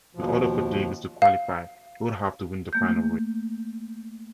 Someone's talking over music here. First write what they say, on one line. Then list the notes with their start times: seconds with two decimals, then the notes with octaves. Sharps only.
In order for Davis to qualify, he would have to win the final race.
0.15 D#2 B2 F3
1.22 F5
2.73 A3 A#3 G6